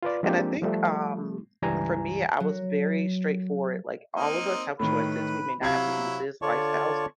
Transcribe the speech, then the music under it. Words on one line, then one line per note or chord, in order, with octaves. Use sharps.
And I think, um, for me, I was very straightforward. Like, all of us have choices. We may not have the easiest lifestyles
F4 B4 D5
F3 G#3 A#3 C4 D4 G4
F3 G3 A3
C#2 G2 E3 G3 G#5 A#5
F#3
A#3 C4 D#4
A2 D#3 B4 B5
C3 F#3 E4 F5 G#6
D3 F4 C#5 D5 A5 C#6